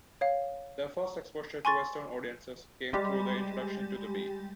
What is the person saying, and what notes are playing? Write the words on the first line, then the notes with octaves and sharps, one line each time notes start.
Their first exposure to Western audiences came through their introduction to the Beats.
C#5 F5
G#5 C6 C#6 A6
G3 G#3 G4